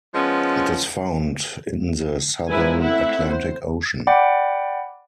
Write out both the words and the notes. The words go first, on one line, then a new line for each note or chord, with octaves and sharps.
It is found in the southern Atlantic Ocean.
F3 G#3 B3 C#4
F3 G#3 E4 A#4 B4 G#5
A3 C4 E4 E5 F#5
C5
D5 F#5 G5 B5 D6